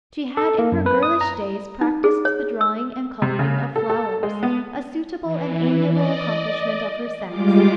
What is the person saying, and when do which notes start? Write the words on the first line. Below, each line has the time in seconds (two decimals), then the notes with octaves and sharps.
She had in her girlish days practised the drawing and colouring of flowers, a suitable and amiable accomplishment of her sex.
0.37 A4
0.59 A#3
0.72 F#2
0.86 B4
1.03 D#6
1.21 A#5
1.81 D#4
2.04 G#4
2.25 C#5
2.61 E6
3.22 C3
3.39 C#3
3.76 A4
3.90 A4
4.23 G#3
4.43 B3
5.24 E3
5.90 D5 D#5
7.28 G3 G#3 F4 D6